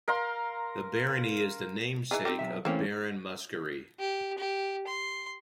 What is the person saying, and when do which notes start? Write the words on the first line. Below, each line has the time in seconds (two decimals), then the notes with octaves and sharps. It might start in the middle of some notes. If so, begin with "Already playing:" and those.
The barony is the namesake of Baron Muskerry.
0.08 A#4 F5 A#5 C6
2.11 E3 D#4 G#4
2.25 C4 D#4 G4
2.39 B1 B2 E5
2.65 E3 A3 A#3 C4 C#4
3.99 G4
4.38 G4
4.87 C6